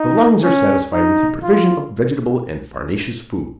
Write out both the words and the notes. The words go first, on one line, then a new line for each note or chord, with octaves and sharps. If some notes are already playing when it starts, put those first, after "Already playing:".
The lungs are satisfied with a provision of vegetable and farinaceous food.
Already playing: D#4
C#4
D#4
F4